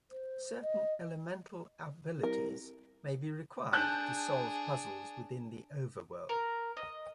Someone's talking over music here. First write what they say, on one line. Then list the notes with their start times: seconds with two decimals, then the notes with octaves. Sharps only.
Certain elemental abilities may be required to solve puzzles within the overworld.
0.11 C5
0.62 D#5
2.23 C2 A#4
3.73 D4 G#4 A5 F#6 G6
6.29 A#4
6.77 D#5